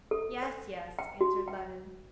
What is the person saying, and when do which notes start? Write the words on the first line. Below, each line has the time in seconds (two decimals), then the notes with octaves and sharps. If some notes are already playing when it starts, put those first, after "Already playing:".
"Yes, yes!" answered Levin.
0.11 A4
0.43 C5
0.99 G5
1.21 F#4
1.48 G5